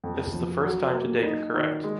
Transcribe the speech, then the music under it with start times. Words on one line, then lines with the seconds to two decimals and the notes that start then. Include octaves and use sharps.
This is the first time today you’re correct.
0.04 F2
0.34 F3
0.63 F#3
0.94 A#3
1.23 D#4
1.54 D#3
1.84 G#3